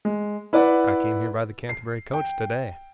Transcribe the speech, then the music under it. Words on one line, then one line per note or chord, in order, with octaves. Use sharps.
'I came here by the Canterbury coach, today.
G#3
E4 B4 D5 F#5
C7
G5